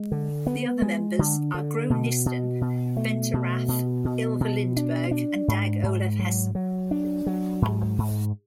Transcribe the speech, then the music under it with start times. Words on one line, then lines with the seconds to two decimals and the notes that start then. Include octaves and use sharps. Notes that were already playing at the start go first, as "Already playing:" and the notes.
The other members are Gro Nystuen, Bente Rathe, Ylva Lindberg and Dag Olav Hessen.
Already playing: G#3
0.12 D3
0.47 B3
0.82 G#3
1.19 D3
1.54 D3
1.90 B2
2.26 B2
2.61 B2
2.97 A3
3.34 B2
3.68 B2
4.05 B2
4.41 B2
4.77 D4
5.11 D4
5.48 G#2
5.83 G#2
6.19 F#3
6.55 F#3
6.91 D4
7.26 F#3
7.62 G#2
7.98 G#2